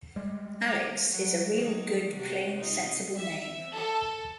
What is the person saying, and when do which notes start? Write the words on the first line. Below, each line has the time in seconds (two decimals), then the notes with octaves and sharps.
Alex is a real good plain sensible name.
0.16 G3 G#3
1.11 F#3
1.59 D#3 F#3
2.16 C3 F#4 G4
2.58 D#4 F4
3.19 E5
3.74 A4